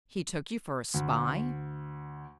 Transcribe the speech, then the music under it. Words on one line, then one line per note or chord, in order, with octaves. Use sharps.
"He took you for a spy?"
D2